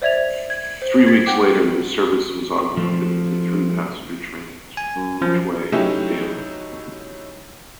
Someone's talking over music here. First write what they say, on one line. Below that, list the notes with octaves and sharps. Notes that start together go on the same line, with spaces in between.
Three weeks later the service was augmented to three passenger trains each way daily.
C5 D5 E5 G#6 A6 F7
G#6
C5
G#6 A6 B6
F#5 G5 D6 C7
F3 A3 C4
G#5
F#2
F3
F#3 A3 C#4 D#4 E4 G4